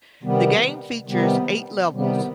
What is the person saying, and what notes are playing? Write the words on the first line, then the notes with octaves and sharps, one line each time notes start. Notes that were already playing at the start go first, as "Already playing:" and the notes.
The game features eight levels.
C3 D#3 G3 B3
C3 D#3 G3 B3
C3 D#3 G3 B3